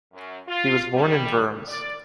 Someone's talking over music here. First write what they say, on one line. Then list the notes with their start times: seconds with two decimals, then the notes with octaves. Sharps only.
He was born in Worms.
0.13 F#2
0.48 F4
0.94 G3
1.67 D5